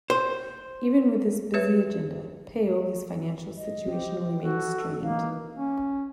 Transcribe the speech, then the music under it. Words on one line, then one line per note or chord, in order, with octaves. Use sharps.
Even with this busy agenda, Paoli's financial situation remained strained.
C5
G4 B4 C#5 E5
D#5
C4 G4
F#4 A4
E3 A#3 D#4 F5
C#4